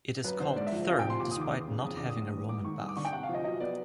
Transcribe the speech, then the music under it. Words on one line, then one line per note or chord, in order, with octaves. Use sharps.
It is called Therme despite not having a Roman Bath.
F#2 B4
D3 C5
G#2 D5
E5
F3
C3 F5
F3 G5
C6
D#2 D6
D#6
D#3 D6
E2
C#3
F2 D#6
D3 D6
D#6
A2
E3
G#2 D6
D#3 C#6
G2 D#6
D6
D3 C#6
G5
C3 F#5
F5
F3
D#5
F#3 D#5
B3 D5